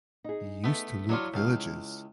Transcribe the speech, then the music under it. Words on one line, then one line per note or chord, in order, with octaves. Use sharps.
He used to loot villages.
D#4 G#4
A3 B3
F#3 D4 E4 F4 C#5
C#2 F5